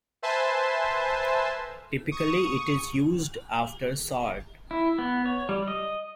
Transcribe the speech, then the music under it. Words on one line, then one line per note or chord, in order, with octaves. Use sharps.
Typically it is used after sort.
B4 C5 E5 G#5 A5 C6
C#6 D#6
E4
B3
C#5
G3
D#5